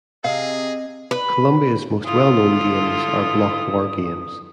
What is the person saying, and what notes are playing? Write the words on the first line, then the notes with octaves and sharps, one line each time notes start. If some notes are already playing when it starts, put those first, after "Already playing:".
Columbia's most well-known games are block wargames.
C3 G#4 D#5 F5
B4
D3 E4 F4 D#6